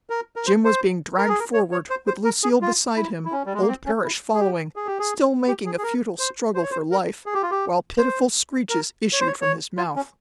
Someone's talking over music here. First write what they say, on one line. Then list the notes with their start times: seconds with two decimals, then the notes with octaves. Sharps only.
Jim was being dragged forward, with Lucille beside him, old Parrish following, still making a futile struggle for life, while pitiful screeches issued from his mouth.
0.10 A#4
0.36 A#4
0.47 C5
0.64 C5
1.18 A#4
1.29 G#4
1.40 A#4
1.53 C#5
1.72 C#5
1.90 C5
2.07 C5
2.25 A#4
2.43 G#4
2.62 F4
2.97 E4
3.25 E4
3.32 C#4
3.46 G3
3.54 G#3
3.61 A#3
3.69 C4
3.86 C#4
4.05 E4
4.34 G#4
4.40 G4
4.76 G#4
4.87 G4
4.99 G#4
5.48 G4
5.66 G#4
5.78 G#4
5.83 A#4
6.19 C5
6.54 C5
6.63 C#5
6.71 C5
6.91 A#4
7.26 G#4
7.34 G4
7.43 F4
7.51 G4
7.98 C5
8.70 A#4
9.13 C#5
9.20 C5
9.27 C#5
9.41 C#5
9.77 F4
9.96 C#4